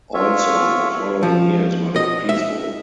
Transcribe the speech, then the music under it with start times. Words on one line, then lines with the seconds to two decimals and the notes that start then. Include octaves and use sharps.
Also the following years were not peaceful.
0.14 F4 C#5 E5
1.23 F3
1.96 D#5
2.29 E5